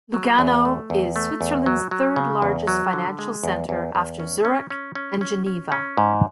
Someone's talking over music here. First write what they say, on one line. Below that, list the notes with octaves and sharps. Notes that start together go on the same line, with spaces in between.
Lugano is Switzerland's third largest financial center after Zurich and Geneva.
F#3
E2
A3
E2
A3
E2
F#3
F#3
C#3
E2
F#3
D3
G#3
E2
E2
E2
C#4
C#4
C#4
C#4
C#4
C#4
C#4
G#2